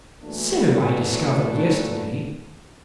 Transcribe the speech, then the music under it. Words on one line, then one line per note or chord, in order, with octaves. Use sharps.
So I discovered yesterday.
E2 E3 F#3 A3 A#3 D4